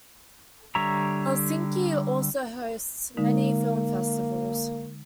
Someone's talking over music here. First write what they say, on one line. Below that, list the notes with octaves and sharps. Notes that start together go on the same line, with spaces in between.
Helsinki also hosts many film festivals.
D3 G3 C#5 E5 A#5
D3 G#3 A#3 D#4